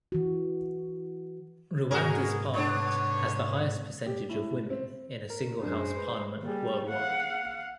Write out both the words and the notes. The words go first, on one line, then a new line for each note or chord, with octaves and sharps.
Rwanda's parliament has the highest percentage of women in a single house parliament worldwide.
E3 F#4
G#2 C3 G#3 B3 F#4 G#4 A#4
D3 B3 D4 B4 C#5
G4
A2
C4
A#4
F#2 G#3 D4 C5
B4
G3 A#3 G#4
F5 F#5